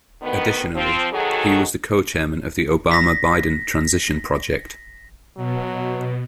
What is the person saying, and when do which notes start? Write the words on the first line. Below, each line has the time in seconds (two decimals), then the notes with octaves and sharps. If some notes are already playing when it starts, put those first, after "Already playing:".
Additionally, he was a co-chairman of the Obama-Biden Transition Project.
0.22 D2 D#3 B3
0.75 F3 C4
1.12 G#2 D#3 F#3 F#4 G#4 A4
2.91 A#6 B6
5.37 B2 F#3